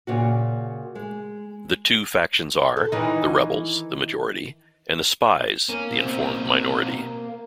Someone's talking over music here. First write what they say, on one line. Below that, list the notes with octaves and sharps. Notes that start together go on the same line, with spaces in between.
The two factions are: the Rebels, the majority; and the Spies, the informed minority.
A#2 C#3 F#4
G#3
A4
D#3 E3 D#4
A#3 C#4
B2 C4